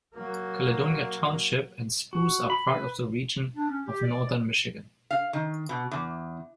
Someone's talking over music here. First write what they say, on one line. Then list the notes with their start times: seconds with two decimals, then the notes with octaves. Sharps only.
Caledonia Township and Spruce are part of the region of Northern Michigan.
0.14 F#3 A#3
2.13 F#4
2.50 B5
2.68 B4
3.55 D4
3.69 C#4
3.85 G4
4.03 D5
5.11 F5
5.33 D#3
5.69 B2
5.91 E2